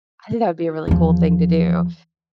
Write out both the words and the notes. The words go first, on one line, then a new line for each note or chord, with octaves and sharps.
I think that would be a really cool thing to do. It's
E2 F3